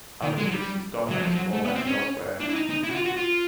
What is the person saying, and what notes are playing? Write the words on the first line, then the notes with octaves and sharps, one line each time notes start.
Other species dominate in moorlands elsewhere.
D#3
G#3
F#3
G3
F#3
F3
F#3
A3
B3
C4
C#4
D4
E4
D#4
D#4
E4
F#4
F4
F#4
F4